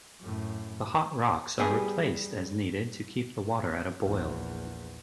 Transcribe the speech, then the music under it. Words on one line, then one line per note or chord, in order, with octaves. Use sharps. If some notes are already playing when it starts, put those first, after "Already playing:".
The hot rocks are replaced as needed to keep the water at a boil.
F#2 A2
G3 B3 G4 G#4
A#1 E2